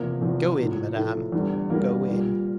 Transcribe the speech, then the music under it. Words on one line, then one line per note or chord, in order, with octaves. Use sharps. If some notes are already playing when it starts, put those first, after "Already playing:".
"Go in, madam, go in."
Already playing: E2 C3 F3 A#3
E2 C3 F3
A2 F3
A2 F3 A3
E2 D3 G3
E2 D3 G3 A#3
A#2 G3